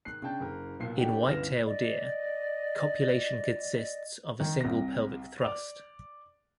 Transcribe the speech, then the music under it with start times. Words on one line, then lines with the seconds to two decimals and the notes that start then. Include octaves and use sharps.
In whitetail deer, copulation consists of a single pelvic thrust.
0.05 G#2 D#3 F#6 C7
0.22 C#3 D4 G5 A5 G6
0.40 F#1 G#4 A#4
0.80 B1 A#2 C7
0.97 D4 D#4 F#4 G4 A4 F#5
1.28 G1 C#2 E3 F6 A#6 E7
1.66 D5 D#5
4.40 D#3
4.61 C2 C3 A#6
5.41 D5 F7